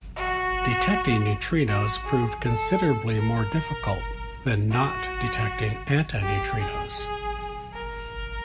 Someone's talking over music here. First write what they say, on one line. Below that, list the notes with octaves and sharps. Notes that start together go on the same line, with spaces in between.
Detecting neutrinos proved considerably more difficult than not detecting antineutrinos.
F#4
F#4
G#4
A4
A#4
F#4
G4
G#4
G#4
A#4